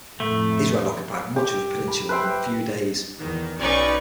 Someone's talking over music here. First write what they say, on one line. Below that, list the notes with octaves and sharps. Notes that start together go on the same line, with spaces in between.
Israel occupied much of the peninsula within a few days.
F2 A2 A3
G4
B5
B4 C5 E5 G5
E2 D#3
B1 C#4 D#4 B4 D5 C#6